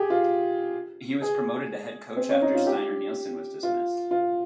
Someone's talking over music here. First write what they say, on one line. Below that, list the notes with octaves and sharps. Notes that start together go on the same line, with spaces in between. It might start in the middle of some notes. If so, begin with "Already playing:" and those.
He was promoted to head coach after Steinar Nilsen was dismissed.
Already playing: G4 G#4
F4
G#4
C4
C#4
D#4
F4
G4
F4
F4